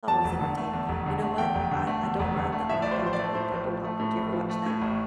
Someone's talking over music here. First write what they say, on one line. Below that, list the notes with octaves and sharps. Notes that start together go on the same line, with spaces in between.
always entertaining. You know what? I I don't mind the, um, Dr. Pimple Popper, do you ever watch that?
E2 A5
F1
D3
A3
E2
F1
D3
A3
E2 G5
F1
D3
A3
E2
F1
D3
A3
A2 E5
A1 D5
C5
F3 C5
D5
A3
A2 C5
A1
F3
A3
A2
A1
F3
A3
A2
A1